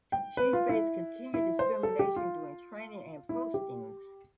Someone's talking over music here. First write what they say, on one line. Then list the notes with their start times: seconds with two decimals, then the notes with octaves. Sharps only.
She faced continued discrimination during training and postings.
0.12 G5
0.37 B4
0.53 F4
0.69 E4
1.34 E4
1.59 C5
1.83 A4
1.99 G4
2.16 F4
3.29 E4
3.54 G4